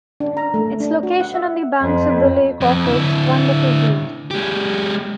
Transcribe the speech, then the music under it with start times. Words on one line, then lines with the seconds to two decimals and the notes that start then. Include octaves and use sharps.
Its location on the banks of the lake offers wonderful views.
0.20 D4
0.37 A#5
0.54 A3
0.80 D4
1.03 F#4
1.20 F#5
1.34 E5
1.81 F2
2.61 F2
2.86 D3 E4
4.31 G#3 G4